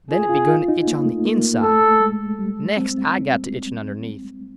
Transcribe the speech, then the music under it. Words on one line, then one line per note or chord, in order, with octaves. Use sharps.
Then it begun to itch on the inside. Next I got to itching underneath.
F4 G#4
F4
F4
D#4
A#3
A3
A#3
A#3
A3 A4
G#3
G3
C4